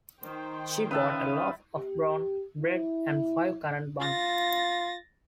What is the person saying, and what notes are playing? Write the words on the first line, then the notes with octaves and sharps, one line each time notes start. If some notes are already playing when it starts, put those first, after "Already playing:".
She bought a loaf of brown bread and five currant buns.
D#3 C5 G5
C#4 B4 E5 F5 A5 D#6
G4
E4
F4 A6 A#6